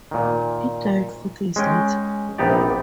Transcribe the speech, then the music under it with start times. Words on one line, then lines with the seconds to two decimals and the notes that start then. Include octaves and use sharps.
He died four days later.
0.11 A#2 D#3
1.56 G#3 C#4 G5
2.38 A#1 C3 B3 D#4 G4 D5